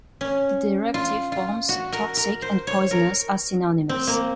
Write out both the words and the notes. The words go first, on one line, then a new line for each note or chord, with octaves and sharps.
The derivative forms "toxic" and "poisonous" are synonymous.
C#4
F4
F4
F#4
A#4
A#4
C5
C#5
A#4
C4
A#3